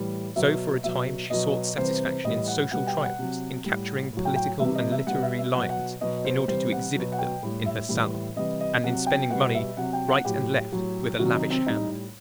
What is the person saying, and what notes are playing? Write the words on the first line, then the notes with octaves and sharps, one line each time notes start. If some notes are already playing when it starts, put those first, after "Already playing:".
So for a time she sought satisfaction in social triumphs, in capturing political and literary lions in order to exhibit them in her salon, and in spending money right and left with a lavish hand.
Already playing: A2 E3 G3
B2 F#3 E5
B2 F#3 E5
B2 F#3 D#5
C3 E3 G3 C5
A2 E3 G3 D#5
F#5
B2 G3 F#5
G5
F#5
C3 F#3
A2 G3
A2 F#3
G5
G5
C3 E3 G3 E5
D#5
E5
B2 G3 F#5
E5
E5
B2 F#3 F#5
F#5
B2 F#3 D#5
C5
C3 E3 G3 C5
F#5
B2 F#3
F#5
G5
A2 G3
E5
A2 E3 G3
C3 E3 G3 D#5
D#5
C3 F#3 F#5
G5
B2 G3 F#5
E5
C3 F#3 F#5
G5
F#5
A2 F#3 G4
A2 F#3
C3 D#3 F#3 F#4
D#4
C4
A2 G3 D#4